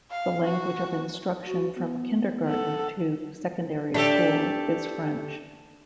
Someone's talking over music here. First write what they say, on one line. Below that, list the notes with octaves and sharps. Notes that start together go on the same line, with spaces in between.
The language of instruction from kindergarten to secondary school is French.
F5
F#4
F#4
B3
A4 F#5
A3 D4 G4 A4